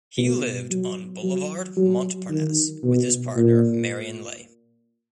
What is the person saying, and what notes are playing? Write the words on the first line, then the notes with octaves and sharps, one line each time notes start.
He lived on Boulevard Montparnasse with his partner Marion Leigh.
B2
F#3
F#3
F#3
D#3
B2
A#2